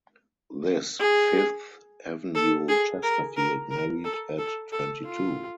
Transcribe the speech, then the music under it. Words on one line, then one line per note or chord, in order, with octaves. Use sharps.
This Fifth Avenue Chesterfield married at twenty-two.
G#4
A4
G#4
A#4
A#4
A#4
A4
A4
A4
F4